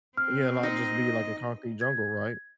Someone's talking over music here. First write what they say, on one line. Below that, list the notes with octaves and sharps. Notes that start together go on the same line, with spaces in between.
yeah, not just be, like, a concrete jungle, right,
C4 F6
D#4 D#5
G#6